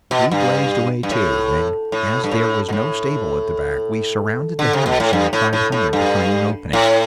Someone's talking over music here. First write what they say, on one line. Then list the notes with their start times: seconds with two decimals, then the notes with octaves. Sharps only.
We blazed away too, and as there was no stable at the back we surrounded the house and tried hard to find an opening.
0.11 B2
0.31 G2
1.03 G2
1.11 A2
1.92 A2
2.24 G2
2.31 A2
2.68 B2
2.73 A2
4.59 D3
4.73 C3
4.86 B2
5.00 A2
5.13 G2
5.33 A2
5.53 A2
5.72 A2
5.93 G2
6.73 A2